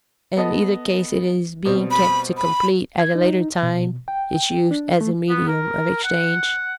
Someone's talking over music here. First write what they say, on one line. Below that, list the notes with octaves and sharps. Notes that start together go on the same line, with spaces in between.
In either case it is being kept to complete at a later time its use as a medium of exchange.
B3 A4 D#5
B2 G3 C4
B5
B5
G#6
D#4
B2
G5
D4
A3
B3
A#4
F#5